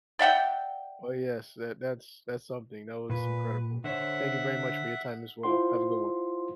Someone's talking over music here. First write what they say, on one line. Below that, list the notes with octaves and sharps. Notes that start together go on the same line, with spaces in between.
Oh, yes. That that's that's something, that was incredible. Thank you very much for your time as well. Have a good one.
D5 E5 F#5 G5
A#2 B4
D3 C5 C#5 E5 F#5
E4 F4 C5 F#5 C6